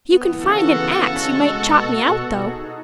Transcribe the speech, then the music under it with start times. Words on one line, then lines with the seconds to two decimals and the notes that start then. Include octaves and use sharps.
If you can find an axe you might chop me out, though.
0.09 B3
0.26 E3
0.41 C#3 F#4 A4
0.57 E3
0.73 B3
0.89 C#3
1.05 C#4
1.21 G#3
1.36 G#3
1.52 B2
1.68 B2
1.83 B2
1.99 B2
2.15 B2
2.31 D#4
2.47 G#4
2.62 D#4